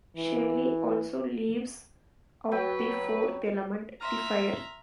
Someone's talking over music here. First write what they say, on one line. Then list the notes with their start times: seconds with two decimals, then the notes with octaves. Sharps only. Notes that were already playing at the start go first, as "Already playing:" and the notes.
Shelley also leaves out the fourth element: the fire.
0.17 E3
2.52 F#3 B4 G5
4.01 E5 A#5 C6 F6